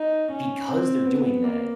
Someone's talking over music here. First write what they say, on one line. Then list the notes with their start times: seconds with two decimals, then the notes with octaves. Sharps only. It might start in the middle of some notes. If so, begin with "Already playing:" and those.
because they're doing that,
Already playing: D#4
0.31 C#4
0.68 C4
1.05 B3
1.43 A#3